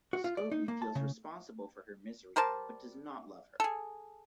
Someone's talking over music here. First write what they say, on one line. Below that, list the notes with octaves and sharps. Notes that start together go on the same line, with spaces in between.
Scobie feels responsible for her misery, but does not love her.
F#4
F4
D5
D#4
A#3
A5
C#3
G3 A#4 C5 A5
G#4 A4